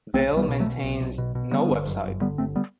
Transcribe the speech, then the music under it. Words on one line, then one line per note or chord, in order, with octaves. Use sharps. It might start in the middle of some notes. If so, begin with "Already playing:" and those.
Valle maintains no website.
B1 A3 C4
B1
G3 B3
B2
F#3 A3
B2
B1
B1
B2
B2
D3 G3 B3
G1
F#2
G1
D3 G3 B3
G1 A3 C4
G3 B3